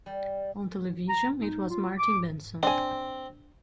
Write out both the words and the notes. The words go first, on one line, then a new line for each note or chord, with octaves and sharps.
On television, it was Martin Benson.
G3
A#5
D#4
F4
D6
C4 D4 G#5